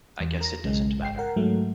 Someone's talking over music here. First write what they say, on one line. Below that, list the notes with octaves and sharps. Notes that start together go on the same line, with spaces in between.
I guess it doesn't matter.
E2
A#4 A#6
B1 C#3 G#3
G#1 G5 C7
A#4 F#5
G#2 F#3 A3